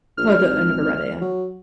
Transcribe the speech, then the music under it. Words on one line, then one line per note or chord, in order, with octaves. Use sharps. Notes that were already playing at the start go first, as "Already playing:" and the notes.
We the, I never read it, yeah.
A#1 F6
G#1
F#3